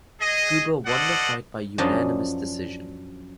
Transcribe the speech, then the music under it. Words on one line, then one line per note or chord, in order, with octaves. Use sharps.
Kubo won the fight by unanimous decision.
G#4 D#5
A4 C5 D5 D#5 F#5
F#2 F3 D4 D#5 F5 F#5